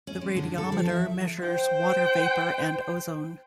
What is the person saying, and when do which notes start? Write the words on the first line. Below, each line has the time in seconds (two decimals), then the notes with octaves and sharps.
The radiometer measures water vapor and ozone.
0.07 C#4
0.21 G#3
0.37 D3
0.58 A4
0.72 F3
0.89 E5
1.40 C5 G5